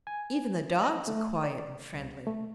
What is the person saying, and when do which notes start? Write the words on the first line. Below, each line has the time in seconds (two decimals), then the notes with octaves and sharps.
Even the dogs are quiet and friendly.
0.07 G#5
0.83 D#5
1.08 A3
1.43 D5
1.94 C2
2.26 A3